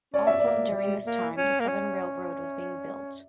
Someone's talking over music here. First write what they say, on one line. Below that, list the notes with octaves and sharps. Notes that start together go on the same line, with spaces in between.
Also during this time, the Southern Railroad was being built.
C#4 D5
E5
A#3 D5
F3
G3
A#3
C#4
A#3
C#4